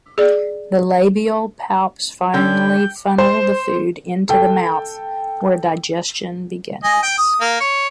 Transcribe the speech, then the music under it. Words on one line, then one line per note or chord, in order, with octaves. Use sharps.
The labial palps finally funnel the food into the mouth, where digestion begins.
G#4 D5
D3 C#4 G5
C5
A4 G5
D#5 G#5
G5
D#6
A#3
C#5